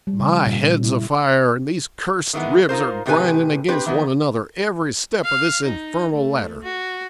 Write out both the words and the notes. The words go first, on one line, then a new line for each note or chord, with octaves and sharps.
'My head's a-fire, and these cursed ribs are grinding against one another every step of this infernal ladder.
G3
C#3
A#2
E4
D#3 E3 G#3 B3
D#4 F4 A#4 C5
A2 C3 D#3 G4 B4 G#5
C4 D4 G4 B4
E3 A#3 B3 D#4
F5
D#4
A3
F#4